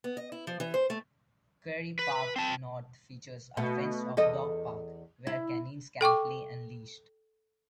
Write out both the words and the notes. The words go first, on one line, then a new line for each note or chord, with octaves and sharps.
Quarry Park North features a fenced off dog park, where canines can play unleashed.
B3
D#5
E4
F3
E3
C5
A3
B4
C4 A5
B2 A3
E2 A4 D#5
E4
A4 G5 C#6 D6